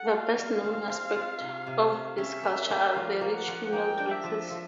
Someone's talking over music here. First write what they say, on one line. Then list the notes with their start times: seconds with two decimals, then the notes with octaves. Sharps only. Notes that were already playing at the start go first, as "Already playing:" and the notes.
The best-known aspect of this culture are the rich female dresses.
Already playing: A4 F#5
0.12 F4
0.24 F5
0.38 G3
0.64 C4
0.90 C4
1.16 F4
1.41 C3
1.67 C3
1.93 C3
2.18 C#4 E5
2.43 A#3
2.70 A#3
2.95 F3 F5
3.21 A#3
3.34 F#5
3.47 F3
3.72 A#3 G5
3.99 D4
4.12 E5
4.24 F3
4.51 F3